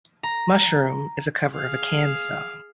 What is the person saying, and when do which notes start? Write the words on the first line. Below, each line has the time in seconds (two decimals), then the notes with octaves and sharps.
"Mushroom" is a cover of a Can song.
0.23 A#5
1.53 G#4 F5